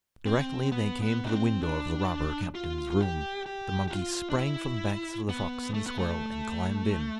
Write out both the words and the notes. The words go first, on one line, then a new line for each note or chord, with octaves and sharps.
Directly they came to the window of the robber captain's room, the monkey sprang from the backs of the fox and the squirrel, and climbed in.
C4
B3
B3
D4
C4
D4
F4
F4
G4
G4
G4
F4
D4
E4
B3
A3
B3
A3